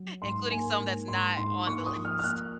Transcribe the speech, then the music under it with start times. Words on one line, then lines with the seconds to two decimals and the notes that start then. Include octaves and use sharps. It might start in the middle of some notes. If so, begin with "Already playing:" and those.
including some that's not on the list.
Already playing: F#3
0.22 G#2 C6
0.51 A#3 G#5
0.80 G#2
1.08 G#2 C6
1.37 G#2 C6
1.67 A#3 C#6
1.86 D#6
1.96 F3
2.05 F6
2.19 F6
2.24 A#3 F#6